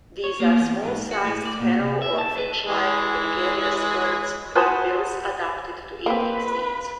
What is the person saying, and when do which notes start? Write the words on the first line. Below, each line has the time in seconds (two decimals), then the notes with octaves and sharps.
These are small-sized, sparrow- or finch-like gregarious birds, with bills adapted to eating seeds.
0.24 C#5
0.40 A#3
0.60 E2
0.83 G#2
1.11 F#4
1.25 A2
1.45 D5
1.60 A#2
1.80 C3
2.02 E5
2.18 A5
2.38 B4
2.66 E3 G#3
4.55 F#4 B4 C5 G#5 A5 D#6
6.06 A#3 C4 B4